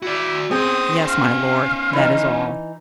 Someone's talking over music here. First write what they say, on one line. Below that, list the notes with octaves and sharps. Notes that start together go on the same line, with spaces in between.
"Yes, my lord; that is all."
E4 F#4 D5
C4 C#4 G#4 C5 D#6
F5
E3 D#4